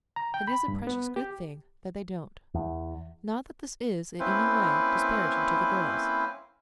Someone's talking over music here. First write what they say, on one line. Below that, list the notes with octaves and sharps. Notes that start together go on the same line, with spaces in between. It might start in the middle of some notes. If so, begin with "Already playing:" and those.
It is a precious good thing that they don't.--Not that this is in any way disparaging to the girls.
A#5
G5
B5
G2
B3
G4
E2
A#3 C4 C#4 E4 B4 C5